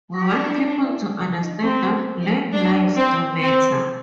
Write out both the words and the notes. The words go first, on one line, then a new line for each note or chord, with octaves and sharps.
We want people to understand that Black lives do matter.
D4
C4
D4
C4
C4